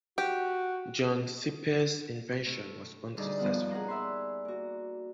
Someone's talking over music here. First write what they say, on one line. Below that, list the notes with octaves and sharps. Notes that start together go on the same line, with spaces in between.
John Sipe's invention was unsuccessful.
F#4 G4
A2
D2 G3 D#4 G#4 D5 D#5
G2 A#2 F3 B3 C#4 F#5
G#4 F#5 A#5
D5 E5 F#5 G#5 B5 C6
A#3 F#4